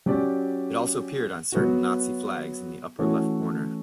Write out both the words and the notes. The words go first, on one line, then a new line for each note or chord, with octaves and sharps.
It also appeared on certain Nazi flags in the upper left corner.
F#3 C#4 G4 D5
F#3 B3 F#4
E3 A3 C#4 F#4 C#5